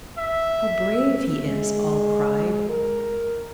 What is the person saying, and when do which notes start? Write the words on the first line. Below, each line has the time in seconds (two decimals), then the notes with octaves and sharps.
'How brave he is!' all cried.
0.18 E5
1.45 G#3
2.69 A#4